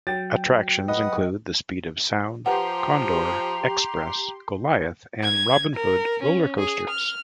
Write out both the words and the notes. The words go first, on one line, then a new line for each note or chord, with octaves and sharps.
Attractions include the Speed of Sound, Condor, Xpress, Goliath and Robin Hood roller coasters.
F#3 G5 A6
B4 D#5 F#5 D#6
F3 G4 B4 F#5 A#5 C6
G#6
A#4
C#4
G#4
F6